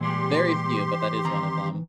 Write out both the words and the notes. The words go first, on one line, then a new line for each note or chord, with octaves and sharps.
Very few, but that is one of them.
A#2 E3 G3 G#3 G4 C6
D#3 C4 A#5